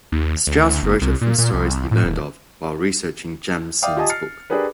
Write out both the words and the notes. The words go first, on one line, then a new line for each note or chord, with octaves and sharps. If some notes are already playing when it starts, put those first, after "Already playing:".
Strauss wrote it from stories he learned of while researching Jameson's book.
D#2
D2
F#1
C2
A#2
A#2
C2
A2
D#1
D5 E5 F5 G5 D6 D#6
F4 G4 D#5 G#5 A5 D#6
F6 A6 C7 C#7
D4 G4 G#4 A#4 B4